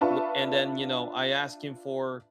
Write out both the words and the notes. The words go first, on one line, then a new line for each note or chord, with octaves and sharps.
w and then, you know, I asked him for
D4 F4 B4 E5 A5 C#6